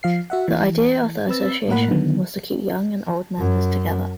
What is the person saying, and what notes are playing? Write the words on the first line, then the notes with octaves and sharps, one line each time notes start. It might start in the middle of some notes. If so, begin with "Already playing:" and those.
The idea of the association was to keep young and old members together.
F3 F5 C7
F#4 E5 F#5
E3
C4 B4 E6 A6
A2 A#3 A#4 F#5 B5
D3 D#3 F#3 B3
F#2